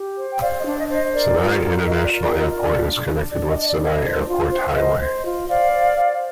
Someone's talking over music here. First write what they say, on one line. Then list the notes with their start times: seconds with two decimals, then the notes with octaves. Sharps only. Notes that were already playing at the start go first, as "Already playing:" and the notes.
Senai International Airport is connected with Senai Airport Highway.
Already playing: G4
0.17 C5
0.31 G5
0.41 C5 D5 F5
0.59 D#5
0.66 D4
0.78 D#5
0.90 C5
0.96 D#5
1.13 A#4 D5
1.38 F4
1.62 A#4
1.86 F4 D#5
2.04 D5
2.10 A#4
2.22 D5
2.35 F4
2.40 D#5
2.58 D4 D5
2.83 D4
3.07 D4
3.30 D4 D5
3.49 D#5
3.55 D4
3.62 D#5
3.67 D5
3.79 D4
3.85 D#5
4.03 C5
4.28 F4
4.51 C5
4.75 C5 D#5
4.99 C5
5.24 F4
5.48 C5 D5 F5
5.73 C5
5.96 C5